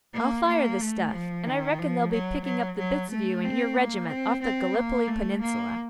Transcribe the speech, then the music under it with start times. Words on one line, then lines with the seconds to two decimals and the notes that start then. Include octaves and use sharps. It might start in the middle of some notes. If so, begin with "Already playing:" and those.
I'll fire this stuff, and I reckon they'll be picking up the bits of you and your regiment off the Gallipoli Peninsula.'
0.14 A#3
0.47 A#3
0.80 A3
1.13 F3
1.46 D#3
1.78 F3
2.12 F#3
2.44 F#3
2.77 F#3
3.10 A3
3.43 C4
3.76 A#3
4.09 C4
4.42 C4
4.74 A#3
5.07 A3
5.41 A#3